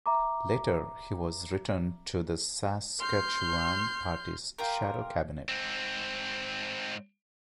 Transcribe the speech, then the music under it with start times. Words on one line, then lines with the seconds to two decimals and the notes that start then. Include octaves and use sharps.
Later he was returned to the Saskatchewan Party's shadow cabinet.
0.06 E5 A#5 D6
2.98 C6 F6 G6
4.58 F4 G4 A#4
5.49 G#2 C4